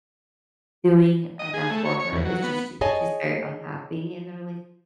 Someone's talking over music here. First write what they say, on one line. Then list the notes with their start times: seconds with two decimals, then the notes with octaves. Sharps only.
doing enough for her. It's just she she's very unhappy in the relationship,
1.39 D#5
1.54 G#4
1.70 A3
1.85 C#5
1.99 C#5
2.12 E2
2.25 F#3
2.43 B3
2.81 G#4 C#5 D#5 G#5 A5